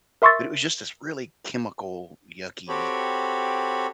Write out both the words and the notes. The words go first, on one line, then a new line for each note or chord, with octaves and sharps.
but it was just this really chemical yucky
A#4 E5 C6 C#6 E6 A6
C4 F#4 G4 A4 C#5 B5